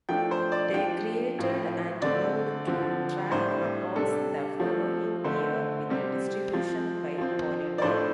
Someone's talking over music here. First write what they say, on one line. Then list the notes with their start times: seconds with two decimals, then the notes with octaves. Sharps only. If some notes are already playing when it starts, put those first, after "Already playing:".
They created and moved to Track Records the following year with distribution by Polydor.
0.09 F3 A3 D4 G5
0.31 C5
0.52 D5
0.74 F3 D4 G5
1.39 A2 F3 C4
2.02 D3 A3 C4 D5
2.67 D3 F3 C4
3.31 A2 G3 D4 C5
3.96 C3 G3 D4 A4
4.60 F3 A3 C4
5.24 D3 A3 C4 C5
5.89 C3 G3 C4
6.53 F3 C4
7.18 F3 C4
7.78 D5
7.82 A2 F3 A3 D4 C5